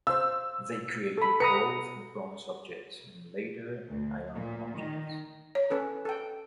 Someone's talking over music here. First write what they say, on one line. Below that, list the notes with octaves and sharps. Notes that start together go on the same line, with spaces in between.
They created both bronze objects and later iron objects.
C5 F5 E6
A4 B5
B4 A#5 D#6 C#7
D2
A#2
D#3
C#5
C#4 A4 B4
A4 G5